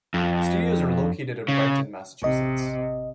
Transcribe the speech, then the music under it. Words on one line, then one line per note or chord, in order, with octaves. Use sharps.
Studios are located in Brighton, Massachusetts.
F2
C#3
A1 C3 D#5